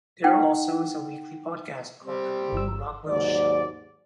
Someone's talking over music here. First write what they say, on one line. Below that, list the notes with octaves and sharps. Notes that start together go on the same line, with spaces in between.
There also is a weekly podcast called the Lew Rockwell Show.
D#4 F#5 G5
G3 C4
G1 E6
D#2 G#2 F#3 D5